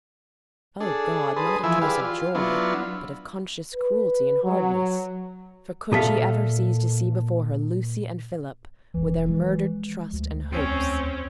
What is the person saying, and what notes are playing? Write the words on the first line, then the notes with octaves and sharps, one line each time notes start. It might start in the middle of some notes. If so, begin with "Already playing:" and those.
O God! not a choice of joy, but of conscious cruelty and hardness; for could she ever cease to see before her Lucy and Philip, with their murdered trust and hopes?
D4 G#4 A4
G#4 B4 A5 C6 D#6
E3 F3 E4 G#5 E6
G4 G#4 B4 D5 F5
F4
F#3 B3 D4 E4 F4
B4
F#3
A#2 G#4 A4 E5 F5
E1 B2 E3
F3 G#3
D2
E2 C4 C#4